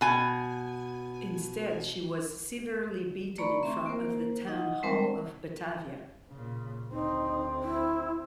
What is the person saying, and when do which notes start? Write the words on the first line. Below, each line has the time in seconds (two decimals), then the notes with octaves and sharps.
Instead she was severely beaten in front of the Town Hall of Batavia.
0.01 B2 G#5
3.38 A3 D5 A#5 B5 C#6
3.63 C4 E5 C6 C#6
3.86 A#3 A#4 C5
4.47 D#4 D#5 F#5
4.83 G3 G#3 C4 A#4 C5
6.30 A#2 C#3
6.92 D2 C4 D#4
7.63 E4